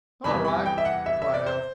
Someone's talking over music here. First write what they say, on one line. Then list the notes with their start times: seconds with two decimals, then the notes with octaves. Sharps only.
"All right," replied Alf.
0.24 E2 C3 E3 G3 B5
0.45 B5
0.66 G5
0.78 E5
0.85 F#5
1.06 E5
1.22 E5
1.34 D5
1.46 C5